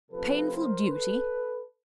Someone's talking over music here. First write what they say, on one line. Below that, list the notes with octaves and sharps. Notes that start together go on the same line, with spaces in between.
"Painful duty!"
C3 F3 A3 C4 A4 B4
A#4 C5
A4 B4